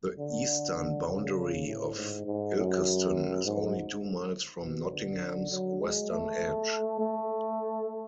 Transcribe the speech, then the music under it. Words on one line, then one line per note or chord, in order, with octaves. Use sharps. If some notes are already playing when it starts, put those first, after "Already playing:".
The eastern boundary of Ilkeston is only two miles from Nottingham's western edge.
D3
D3
C#3
C#3
A2
G#2
G#2
F#2
G#2
B2
D3
F#3
G#3
A3
A3